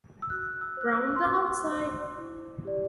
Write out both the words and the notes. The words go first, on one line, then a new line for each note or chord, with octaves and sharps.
Round the Outside!
E6
F#4 F#6
E6
C5 F#6
E6
C6
F#4 D6
C5
E4
G4 D5